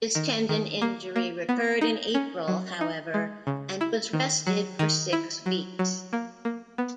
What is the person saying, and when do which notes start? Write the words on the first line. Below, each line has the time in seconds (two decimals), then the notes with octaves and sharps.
His tendon injury recurred in April, however, and was rested for six weeks.
0.15 D#3
0.49 D#3
0.81 A#3
1.16 A#3
1.49 B3
1.81 D#4
2.14 C#4
2.48 F#3
2.81 D#4
3.14 G#3
3.47 C#3
3.81 E4
4.13 D#3
4.47 F#3
4.79 D#3
5.13 E4
5.46 F#3
5.79 F#3
6.13 A#3
6.45 A#3
6.78 B3